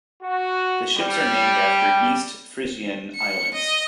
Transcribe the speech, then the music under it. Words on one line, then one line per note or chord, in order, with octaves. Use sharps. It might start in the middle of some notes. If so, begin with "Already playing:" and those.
The ships are named after East Frisian Islands.
F#4
G3
C#7
D#5